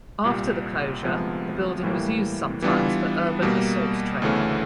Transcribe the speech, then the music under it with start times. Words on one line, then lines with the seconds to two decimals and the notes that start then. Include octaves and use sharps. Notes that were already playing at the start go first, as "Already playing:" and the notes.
After the closure the building was used sometimes for urban assault training.
0.24 C2 A#2 G3
1.03 D2 C3 F3 G#3 B3
1.83 A2 E3 G3 A#3
2.62 E3 G3 B3 D4 F4
3.42 B2 G3 A#3
4.22 D2 C#3 E3 A3 C#4